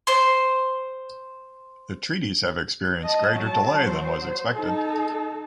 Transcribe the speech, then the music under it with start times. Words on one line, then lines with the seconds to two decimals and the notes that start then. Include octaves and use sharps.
The treaties have experienced greater delay than was expected.
0.07 C5 C6
3.03 D#5 A5
3.33 F#3 A5
3.83 F#3 C5
4.53 D#4 A4